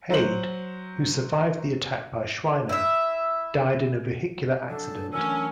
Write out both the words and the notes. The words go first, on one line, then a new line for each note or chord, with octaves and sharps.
Hade, who survived the attack by Shriner, died in a vehicular accident.
F#3 C5 F#7
E4 E5
F#3 G#3 D4 A4
E3 F#3 A3 C#4 A#4 E6